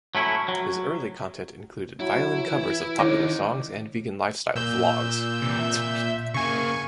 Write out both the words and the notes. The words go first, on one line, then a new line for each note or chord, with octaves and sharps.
His early content included violin covers of popular songs and vegan lifestyle vlogs.
F#3 A3 C#4 E4
F#3
F#3 E4
E3
D3 D#3 C#4 D#4 E4
A#2 E6 G6
C3 E3
E5
C#3 A#3 G#5 C#6